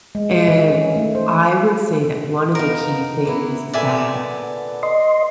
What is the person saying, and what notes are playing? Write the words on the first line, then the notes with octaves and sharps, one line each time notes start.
and I would say that one of the key things that
G#3
G#3
D#3
C#4
A3
C5
F2 B3 D#4 A#4 F5
A#3 B3 E4
A#2 D3 B3 D5 E5 G#5
D#5 C6